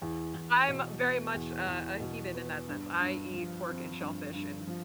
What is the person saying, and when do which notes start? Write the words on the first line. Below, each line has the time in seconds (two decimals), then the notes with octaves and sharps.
I'm very much a a heathen in that sense, I eat pork and shellfish and,
0.02 E2
0.34 E2
0.68 B2
1.01 B3
1.34 E2
1.67 E2
2.00 B2
2.35 B3
2.68 G2
3.00 G2
3.34 F3
3.67 C4
4.00 G2
4.33 G2
4.67 F3